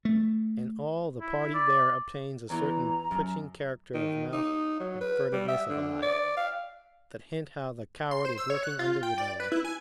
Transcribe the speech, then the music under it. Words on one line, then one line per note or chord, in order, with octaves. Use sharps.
In all the party there obtains a certain twitching character of mouth and furtiveness of eye, that hint how the coward is lurking under the bully.
A3
E4
D5
E2 E3 A#5
F#2
D#3
D#4
F#3
B4
G3
E5
D3
D5
F5
C6
C5
E6
C#5
F#6
F4
G5
D5
B4
E4
G#5